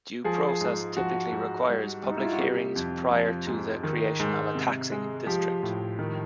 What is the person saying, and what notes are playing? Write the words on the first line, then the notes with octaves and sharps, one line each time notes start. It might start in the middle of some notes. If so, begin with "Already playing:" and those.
Due process typically requires public hearings prior to the creation of a taxing district.
F3 G#4
G#4
G#2
F3 F#4
G#2
G3
G3
D#4
E4
F4
F#4
C3 G4
F2
F3
G#2
D#3
G#2
C3
G#3
F3 G4
A2
D#3